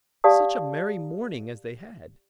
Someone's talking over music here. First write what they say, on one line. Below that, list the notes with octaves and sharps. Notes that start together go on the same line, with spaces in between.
Such a merry morning as they had!
G4 D5 F5 A5 D#6